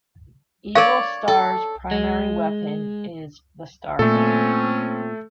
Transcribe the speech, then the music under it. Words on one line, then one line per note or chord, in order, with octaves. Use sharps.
Evil Star's primary weapon is the "Starband".
A#4 C#5 D5 F5
A4
G#3
A#2 A3 C4 C#4 A4